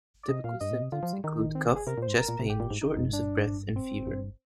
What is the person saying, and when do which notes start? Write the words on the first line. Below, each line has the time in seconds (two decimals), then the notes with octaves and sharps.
Typical symptoms include cough, chest pain, shortness of breath and fever.
0.23 D5
0.29 C3 D#5
0.44 A#2 F5
0.60 G2 D#5
0.71 A#2
0.81 C3
0.92 D3 F4
1.03 F3
1.13 G3
1.24 D#3 D#4
1.55 C4
1.66 A#3
1.76 G#4
1.87 C3 A#4
1.98 A#2
2.02 C5
2.08 G#2
2.18 A#4
2.28 A#2
2.39 C3
2.50 G4
2.60 A#2
2.71 G#2
2.81 D#4
2.97 F2
3.08 G#2
3.13 G2 D4
3.76 C4
4.07 G2